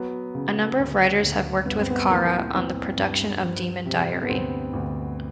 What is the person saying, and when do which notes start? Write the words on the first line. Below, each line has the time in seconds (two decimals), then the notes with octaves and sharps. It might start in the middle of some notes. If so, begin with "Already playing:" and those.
A number of writers have worked with Kara on the production of "Demon Diary".
Already playing: F#3 B3
0.35 C#3
0.79 D2
1.23 D2
1.66 G2 B3
1.79 C4
1.90 B3
2.10 E3 A#3
2.18 B3
2.25 A#3
2.54 E3 C4
2.98 G2
3.42 F3
3.86 C3
4.22 B3
4.30 D2 C4
4.74 D2